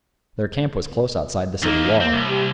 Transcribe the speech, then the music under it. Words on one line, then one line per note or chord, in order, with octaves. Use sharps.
Their camp was close outside the city wall.
E2 A#3 D#4
A#3 C4
C2
G4